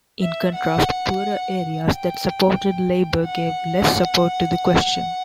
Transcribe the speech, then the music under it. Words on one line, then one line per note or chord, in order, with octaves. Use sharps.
In contrast, poorer areas that supported Labour gave less support to the question.
E5
F#5
G5
F#5